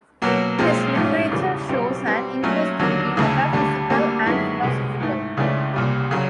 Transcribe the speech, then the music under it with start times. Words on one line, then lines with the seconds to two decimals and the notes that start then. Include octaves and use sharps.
His literature shows an interest in the metaphysical and philosophical.
0.22 B2 F#3 A#3
0.58 B1 A#2 F3 G#3 C4
0.95 A1 G#2 F3 A3 C#4
1.31 E2 C#3 E3 G3
1.69 B1 B2 G3 C4
2.05 B2 G3 C4
2.42 A#2 F#3 A3 C#4
2.79 D#2 D3 F#3 A#3
3.16 D2 C#3 E3
3.53 D2 D3 G3
3.90 D2 D3 G3 A#3
4.26 F#2 D#3 G#3 B3 E4
4.63 C2 B2 G#3
5.00 G#2 E3 A3
5.37 C#2 C#3 E3 A3 D4
5.74 C2 A#2 G3
6.11 C#3 F#3